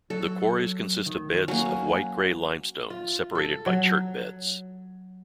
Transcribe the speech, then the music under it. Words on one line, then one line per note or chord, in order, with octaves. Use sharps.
The quarries consist of beds of white-grey limestone separated by chert beds.
F#3 A4
D#3
F#3 A#3 C#4
F4
A4
F#3